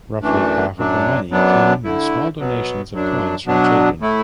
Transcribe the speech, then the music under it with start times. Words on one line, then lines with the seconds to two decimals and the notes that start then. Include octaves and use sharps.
Roughly half of the money came in small donations of coins from children.
0.22 F#2 E3 A3 D4
0.76 F#2 F#3 D4
1.31 F#2 F#3 B3 D4
1.84 D3 A3 E4
2.38 B2 F#3 B3
2.92 F#2 F#3 D4
3.46 B2 F#3 B3 D4
4.00 A2 A3 E4